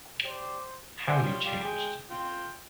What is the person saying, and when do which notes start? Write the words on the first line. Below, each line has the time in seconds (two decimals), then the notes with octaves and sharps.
How you've changed!
0.24 G4 C5 D5
1.08 C5 E5 G#5
1.23 F3 G3 C#5
1.45 G3 F4 G4
1.63 G#3 G5
2.10 F4 G5